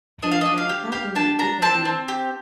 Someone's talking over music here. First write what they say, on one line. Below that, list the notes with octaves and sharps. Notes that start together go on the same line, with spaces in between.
paying them a compliment. It can be
D4 D#5
F5
D4 D#5
F5
G4
G4 F5
D4 A5
D4 A#5
C4 A5
C4
G4